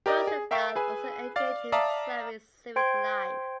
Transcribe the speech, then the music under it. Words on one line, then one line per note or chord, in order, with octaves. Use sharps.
Rosendahl also engaged himself in civic life.
G4 A#4 D5 D#5
G#4
A#4 E5 F5 G5 C#6 E6
G#4 B4 G#5
D5 F5 A6
D5 E5 F5 A5 A#5 D#6
C5 G5 C6 G#6 D7